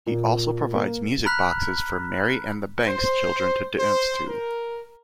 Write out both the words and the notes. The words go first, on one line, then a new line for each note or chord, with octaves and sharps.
He also provides music boxes for Mary and the Banks children to dance to.
A#2
A#3
A#5 B5 F6 F#6 B6
C5
C5
A#4